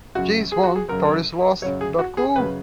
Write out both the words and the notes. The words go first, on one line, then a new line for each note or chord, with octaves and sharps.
Jays won...Tories lost.. dot cool!
F#2 C#3 F#3 F#4
G#4
F#4
G#4
F#2 C#3 F#3 A#4
F#2 C#3 F#3 C#5
G#4
F#4
G#4
F#2 C#3 F#3 B4